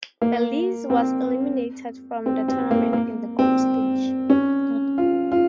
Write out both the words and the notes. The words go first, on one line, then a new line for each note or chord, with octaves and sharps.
Belize was eliminated from the tournament in the group stage.
A#3
C4
C4
C4
A#3
A#3
C4
C#4
F4
F4